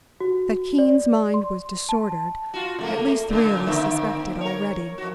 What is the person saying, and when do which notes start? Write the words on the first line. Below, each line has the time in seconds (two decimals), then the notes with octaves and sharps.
That Keene's mind was disordered at least three of us suspected already.
0.20 F#4
0.79 D5
1.34 C6
1.89 A5
2.54 F4 F#4
2.79 C3 A3 A#3
3.30 A#2 C#3
3.66 D3 A#3 C4
4.41 A#4 C#5
4.98 F2 F#4